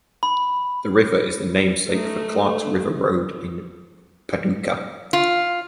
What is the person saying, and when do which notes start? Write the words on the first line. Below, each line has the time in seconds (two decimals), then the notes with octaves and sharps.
The river is the namesake for Clarks River Road in Paducah.
0.23 B5
1.90 A3 D#4
2.44 A3
5.13 F4